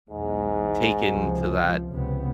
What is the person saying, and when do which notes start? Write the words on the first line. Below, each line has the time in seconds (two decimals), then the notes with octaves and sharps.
take into that
0.10 B1 E2 G#2 G#3
1.09 C#2 C3 F3
1.93 C#2 C3 B3